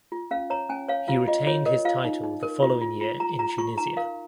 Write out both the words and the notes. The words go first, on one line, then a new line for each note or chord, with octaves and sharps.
He retained his title the following year in Tunisia.
F4
C#4 F5
C#5 A#5
C#4 G#5
C#5 F5
F4 F5
F4 D#5
F4 C#5
A#4 D#5
F4 F5
D#4
D#4
A#4
F4
F4
F4
F4 A#5
F4 A#5
F4 C#6
D#4 A#5
A#4 F5